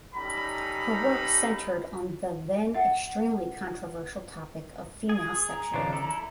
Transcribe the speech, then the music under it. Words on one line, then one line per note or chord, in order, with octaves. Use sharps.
Her work centered on the then extremely controversial topic of female sexuality.
G3 C#4 D#4 A4 A#5 B5
E5 F#5
G#4 D#6
A#5
C#3 F3 D4
E4 A4